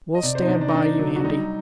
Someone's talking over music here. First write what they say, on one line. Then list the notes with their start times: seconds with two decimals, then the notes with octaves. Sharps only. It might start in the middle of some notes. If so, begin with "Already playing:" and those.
"We'll stand by you, Andy."
0.15 D#5
0.23 C3 D5
0.35 C5
0.42 D#4
0.48 C3 D4
0.61 D4
0.69 D#4
0.74 C3 D4
0.99 F#3
1.16 F#4
1.24 G3 D#4